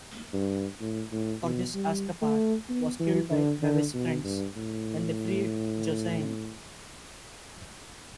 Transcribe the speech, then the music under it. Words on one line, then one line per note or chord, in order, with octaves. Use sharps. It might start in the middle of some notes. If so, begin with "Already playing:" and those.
For this Ascapart was killed by Bevis' friends when they freed Josiane.
G2
A2
A2
B2
G3
A3
B3
E3
D3
D3
B2
G2
A2